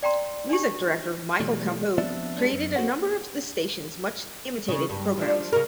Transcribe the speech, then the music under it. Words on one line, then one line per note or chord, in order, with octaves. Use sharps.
Music director Michael Compeau created a number of the station's much-imitated programs.
D5 G5 A#5 C6
D4 D#4 G4
B2 E3 F#3 G3 A3
F3 B3 C4 D4 D5 E5
G3 G#3 C4 D4
F#2
B3 C4 F#4 A4 C5 F#5
C#3
G2
F3 D4
C#3 A#4